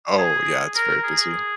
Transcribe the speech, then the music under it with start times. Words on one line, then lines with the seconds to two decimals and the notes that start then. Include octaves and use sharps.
Oh, yeah, it's very busy.
0.18 G#4
0.75 A#4
1.04 G#4